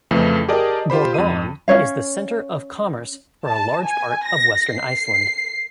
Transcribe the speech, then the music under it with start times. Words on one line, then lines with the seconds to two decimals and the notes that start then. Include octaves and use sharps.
Borgarnes is the center of commerce for a large part of western Iceland.
0.11 F2 C#3 E3 F3 A3
0.48 G4 G#4 A#4 D5 D#5 A5
0.90 F4 G4 C5 B5
1.14 F2 D#7
1.68 C#4 D#4 C#5 F5
3.47 A5
3.83 G#5
4.25 A#6
4.72 C7